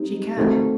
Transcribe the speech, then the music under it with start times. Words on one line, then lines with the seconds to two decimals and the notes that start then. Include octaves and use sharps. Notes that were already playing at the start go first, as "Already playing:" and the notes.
She can!
Already playing: G3 C4 D#4
0.37 D#3 A3 C4 F#4